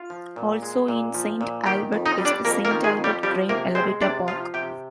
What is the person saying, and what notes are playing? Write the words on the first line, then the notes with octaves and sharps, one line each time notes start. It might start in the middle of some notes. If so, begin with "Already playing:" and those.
Also in Saint Albert is the Saint Albert Grain Elevator Park.
Already playing: F4 F5
F3
A#2
G#3
A#2
F3
A#2
D#3 G4 G5
F2
D#4 D#5
G3
D4 D5
F2 A#3 A#4
A#3 A#4
D#3
G#3 G#4
F2
G3 G4
F3 G3 G4
C3 A#3 A#4
G#3 C4 C5
C3 D4 D5
F3 F4 F5
C3 G4 G5